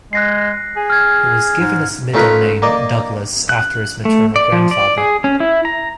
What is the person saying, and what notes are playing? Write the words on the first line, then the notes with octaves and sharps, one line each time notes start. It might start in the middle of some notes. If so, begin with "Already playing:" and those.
He was given his middle name "Douglas" after his maternal grandfather.
G#3 F#6 A#6 C7
G#4
F6 G#6
G#2
A3 C#4 D#4 F4 A#4 B4
A#3 D5 D#5
F#6
A3
D5
F3
D5
G#4
C#4
E4
A#5